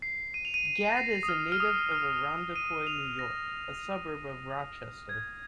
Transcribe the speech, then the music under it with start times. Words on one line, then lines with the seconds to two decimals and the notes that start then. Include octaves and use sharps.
Gadd is a native of Irondequoit, New York, a suburb of Rochester.
0.02 C7
0.34 D#7
0.45 F7
0.54 D#7
0.65 D#7
0.92 A#6
0.97 C7
1.23 D#6
1.29 F6
1.52 F6
1.60 D#6
1.92 F6
2.56 D#7
2.78 D#7
2.87 F7
3.19 A#6
5.09 G#6